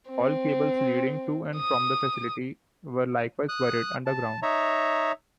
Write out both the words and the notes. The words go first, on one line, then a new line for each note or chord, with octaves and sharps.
All cables leading to and from the facility were likewise buried underground.
C4
D#6
D#6 F#6
A5
D#4 C#5 E5 A#5